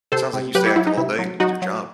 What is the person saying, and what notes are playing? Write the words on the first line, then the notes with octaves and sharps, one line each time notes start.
it sounds like you stay active all day with your job.
C3 A4 C5
C3
F#3 G4 B4
E4 G4
F#3 E4
D#4
C3 E4
F#3
F#3 D#4 F#4
F#3